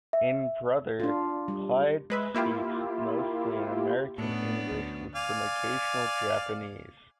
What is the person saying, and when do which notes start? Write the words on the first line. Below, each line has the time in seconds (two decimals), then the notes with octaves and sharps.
In "Brother", Claude speaks mostly in American-English with some occasional Japanese.
0.13 E5
1.00 D4 F4
1.48 G3
2.10 G#3 B4 E5
2.34 A#3 E4 F4 G4
4.18 A2 B3 C#4 D4
4.71 D2
5.16 D5 F5 G#5